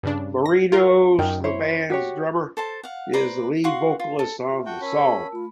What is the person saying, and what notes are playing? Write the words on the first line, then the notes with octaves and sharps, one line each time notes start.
Marinos, the band's drummer, is the lead vocalist on the song.
G2 C#3 D4
A#6
F4 A#4
F#2 D#4 A#4 G5
E4 C5 C#5
F#4 G4 C#5
A4 C5 A5
F5 F#5
B4 C5 D5 A#5
F#4 F5 F#5 C6
F4
A4
F4 F#4 E5
F#4 G5 A5
C#4 A#4 A5 B5 E6
G#4
A3 F4 B5